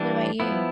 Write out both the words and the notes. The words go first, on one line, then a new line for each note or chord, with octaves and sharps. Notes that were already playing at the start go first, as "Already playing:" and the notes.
What about you?
Already playing: E3 G3 D4
F3 B3 E4